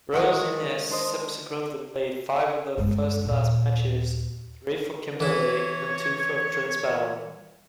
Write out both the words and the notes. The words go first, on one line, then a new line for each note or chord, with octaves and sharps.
Rose-Innes subsequently played five other first-class matches, three for Kimberley and two for Transvaal.
D#3 G#3 E4 C#5 F5 F#5
D4 C5 D#5
G2 G#3
D#2 A#2
E3 E4 C#5